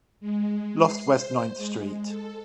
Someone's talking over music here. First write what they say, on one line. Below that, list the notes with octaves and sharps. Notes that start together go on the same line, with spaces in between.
Lost West Ninth Street.
G#3
C7
C5
G#3
A4